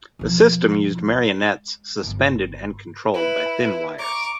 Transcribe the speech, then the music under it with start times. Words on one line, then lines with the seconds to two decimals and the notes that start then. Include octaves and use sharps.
The system used marionettes suspended and controlled by thin wires.
0.19 E1 F3
1.10 G#3
2.03 G1
3.13 E4 B4
3.58 B4
3.98 A#5 C#6 D6